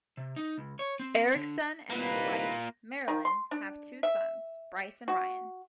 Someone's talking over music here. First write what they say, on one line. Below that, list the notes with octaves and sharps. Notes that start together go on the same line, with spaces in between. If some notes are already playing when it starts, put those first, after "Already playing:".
Erickson and his wife, Marilyn, have two sons: Bryce and Ryan.
C3
D#4
C#2
C#5
C4
D3
C2 D#3 A#3 F4 B4
D#3
C6
D4
E5
F#4